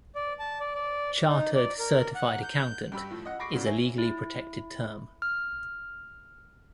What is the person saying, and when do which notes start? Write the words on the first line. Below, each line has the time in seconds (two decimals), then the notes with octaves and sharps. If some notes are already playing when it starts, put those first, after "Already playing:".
Chartered Certified Accountant is a legally protected term.
0.15 D5
0.39 A5
0.60 D5
0.75 D5
1.29 D#4
1.55 D5
1.79 A#4
2.15 F#5
2.43 G6
2.92 G2 G4 B5 E6
3.11 A2 F3
3.25 D#5 F#5
3.39 B5 C#6 D6 A#6 C7 D7
3.53 C#3 E3 F#3 B3 D4
3.65 C#5 E5 G#5
3.98 E4
5.22 F6